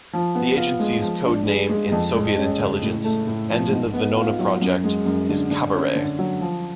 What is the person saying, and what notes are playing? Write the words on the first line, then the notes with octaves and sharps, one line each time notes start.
The agency's code name in Soviet intelligence and in the Venona project is "Cabaret".
F3
B3
F4
G#3
F3
D4
G#4
G#3
F2
G#3
C#4
C#3
A2
A3
A2
F3
G#2
B3
F4
F#3
F#2
G#3
F#2
D3
D3
C#4
D3
F#3
F3